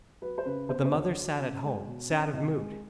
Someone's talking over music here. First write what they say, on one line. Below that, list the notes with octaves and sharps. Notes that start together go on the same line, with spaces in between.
But the mother sat at home, sad of mood.
F#3 B4
C5
C#3 B4
B3 C5
C5
D2 C#5
F#3
C#3
G#3
B2
C#4
C2 D#5
G#3